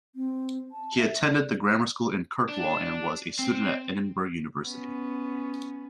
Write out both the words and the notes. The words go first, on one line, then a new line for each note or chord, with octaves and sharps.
He attended the grammar school in Kirkwall, and was a student at Edinburgh University.
C4
A5
E5
D5
D4
C4
B3 C#4